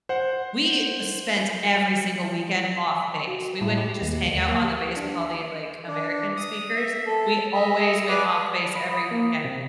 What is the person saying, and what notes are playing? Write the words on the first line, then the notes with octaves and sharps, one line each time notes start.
we spent every single weekend off-base. We wouldn't just hang out on the base with all the, like, American speakers; we always went off-base every weekend.
C5 F#5
F#4
A2
G4
D#2
D2
A#3
G4
D4
D4
D#6
E5
A4
D#5 E5
B4 D5 G#5 D6
B5
D#6
A#3
C3